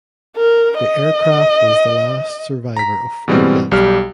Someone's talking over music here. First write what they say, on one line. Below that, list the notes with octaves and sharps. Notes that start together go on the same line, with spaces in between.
The aircraft was the last survivor of four built.
A#4
D#5
A#5 B6
B2 E3 G3 G#3 A#3 C4
B1 G3 G4 F6